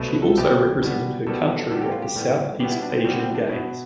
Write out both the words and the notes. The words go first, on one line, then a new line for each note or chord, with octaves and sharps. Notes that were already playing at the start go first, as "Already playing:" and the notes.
She also represented her country at the Southeast Asian Games.
Already playing: C2 B2 A3
B4
A4
C2 B2 A3 G4
B2 G3 B3
B2 G3 B3 A4
G4
A4
A2 G3 B3 A4
G4
F4
G4
A2 G3 B3
B2 G3 B3 G4
E4
D4
C4
B2 G3 B3 C4
C4
D4
B2 B3 E4